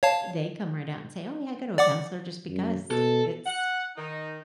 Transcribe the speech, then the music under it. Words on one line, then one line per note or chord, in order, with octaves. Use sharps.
they come right out and say, “Oh, yeah, I go to a counselor just because,” it's,
C#5 F5 A5
D5 F#5 D6
F#2
B2 A4
F#5
D#3 D#4